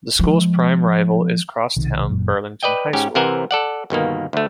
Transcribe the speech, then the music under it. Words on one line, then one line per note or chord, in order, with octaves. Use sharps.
The school's prime rival is cross-town Burlington High School.
F3 G#3
B1 C3 D#3
F#1 F#2 A#2 F#3
B4 D5 D#5 G5
G#2 C#4 G4
C3 E3 A#4 C5 F#5 G#5
A4 D5 F#5
G1 B2 D#3 A#3
D2 A3